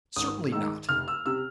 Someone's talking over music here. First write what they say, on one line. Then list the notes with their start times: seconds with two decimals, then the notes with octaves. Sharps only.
'Certainly not.
0.16 G#1 D#6
0.52 G#2 D#3 E6
0.89 F1 F6
1.08 E6
1.26 C3 E6